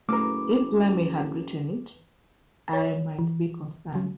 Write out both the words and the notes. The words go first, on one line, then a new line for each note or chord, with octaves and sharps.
If Lemmy had written it, I might be concerned.
F#1 A3 B4 A#5 D6
C#5
E3
F#3